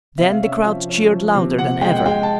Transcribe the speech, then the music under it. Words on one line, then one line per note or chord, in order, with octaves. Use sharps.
Then the crowd cheered louder than ever.
C3 E5
F5
C#4 E5
F3
C#4
F3
C3
C3 F#5
G#3 G5
F#5
G#3 G5
A5